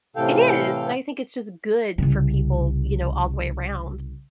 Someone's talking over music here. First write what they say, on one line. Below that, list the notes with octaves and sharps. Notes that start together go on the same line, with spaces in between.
It is, and I think it's just good for people, you know, all the way around.
A2 C3 E3 A4 F5 G5
C2 C#3